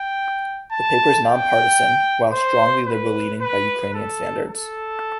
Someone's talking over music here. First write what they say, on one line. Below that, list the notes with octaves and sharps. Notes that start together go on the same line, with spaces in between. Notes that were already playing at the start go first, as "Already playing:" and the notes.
The paper is non-partisan, while strongly liberal-leaning by Ukrainian standards.
Already playing: G5
A5
G5
C5
B4
B4
A4
A4